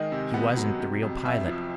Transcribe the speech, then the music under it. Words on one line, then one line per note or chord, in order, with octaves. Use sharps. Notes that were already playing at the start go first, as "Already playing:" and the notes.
He wasn't the real pilot.
Already playing: D#3 G#3 D#5
C3
B3
F#3
C3
F2
F2 E5
F3